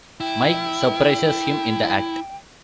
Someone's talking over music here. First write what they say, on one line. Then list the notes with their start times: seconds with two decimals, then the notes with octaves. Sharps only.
Mike surprises him in the act.
0.20 E4 G5